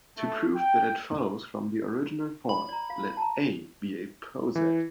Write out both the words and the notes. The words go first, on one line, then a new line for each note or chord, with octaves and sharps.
To prove that it follows from the original form, let "A" be a poset.
A3
G5
B5
D5 A#5
F5
A5 A#5
E3